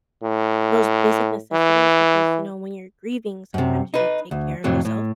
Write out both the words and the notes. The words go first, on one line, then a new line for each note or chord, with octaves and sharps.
those basic necessities because, you know, when you're grieving, sometimes you don't take care of yourself,
A2
E3
F#2 C3
D#4 B4
D2
F2 A2 C3 F#3
A2